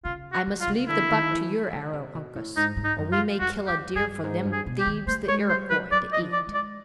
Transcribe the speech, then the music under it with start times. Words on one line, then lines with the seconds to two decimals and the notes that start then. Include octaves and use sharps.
"I must leave the buck to your arrow, Uncas, or we may kill a deer for them thieves, the Iroquois, to eat."
0.05 C#3 F4
0.33 F#4
0.47 D3
0.61 F4
0.67 C#3
0.88 D3 E4
1.09 D#3
1.31 E3
1.72 C#3
1.93 C3
2.15 B2
2.35 A2
2.57 G#2 D#4
2.77 G#2
2.84 D#4
2.98 F#2
3.12 F4
3.40 F2 F#4
3.67 F2 G4
3.95 G2 G#4
4.24 G#2
4.45 G2
4.52 G#4
4.66 B2
4.80 G4
4.87 D#3
5.07 A3 C5
5.28 G#3 C#5
5.49 G3 C5
5.70 F#3 B4
5.91 F#3 D5
6.13 D#5
6.19 F3
6.33 D5
6.47 G#3
6.54 D5